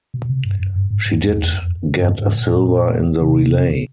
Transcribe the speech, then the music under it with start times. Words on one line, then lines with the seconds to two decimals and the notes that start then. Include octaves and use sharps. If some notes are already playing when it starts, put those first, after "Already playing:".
She did get a silver in the relay.
0.14 B2
0.30 C3
0.45 G2
0.60 F#2
0.76 G2
0.91 G#2
1.06 G#2
1.28 F2
1.37 E2
1.52 F#2
1.58 F2
1.98 G2
2.19 G#2
2.35 A2
2.40 A#2
3.21 C3